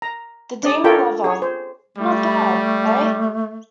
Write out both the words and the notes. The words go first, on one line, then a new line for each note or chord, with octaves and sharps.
"The Demon Lover " — not bad, eh?
A#5
D4 D5 D#6
F4 A4 A#4 C#5 G5 B5
G#4 C#5
C5
G3 A3